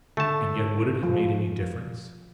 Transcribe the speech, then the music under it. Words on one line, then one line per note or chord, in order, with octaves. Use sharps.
And yet would it have made any difference?
D3 A3 A5
F3